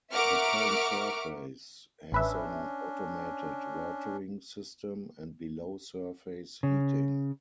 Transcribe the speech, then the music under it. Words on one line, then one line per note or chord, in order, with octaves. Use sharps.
The playing surface has an automated watering system and below-surface heating.
A#4 E5 F#5 C#6 D6 F6
A1 C#4 D4 B4 E5
C#3